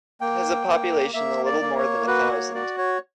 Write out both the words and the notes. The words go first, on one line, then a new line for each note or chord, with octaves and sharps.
It has a population a little more than a thousand.
A#3 G5
A#3
A#3 E5
D5
A#3
C#5
F#4 B4
C#5
F#4 D5
C#5